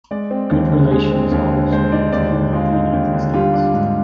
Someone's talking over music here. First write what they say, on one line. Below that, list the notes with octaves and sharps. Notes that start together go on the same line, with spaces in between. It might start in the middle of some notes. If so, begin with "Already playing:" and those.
Good relations are also maintained with the United States.
G#3 D5
C4
D#2
D3
G#3 G#4
C4
D#2
D3
G#3 C5
D#4 D5
D#2 D5
D3 D#4
G#3 F4
D#4
D#2
D3
G3 F4
D4
G#2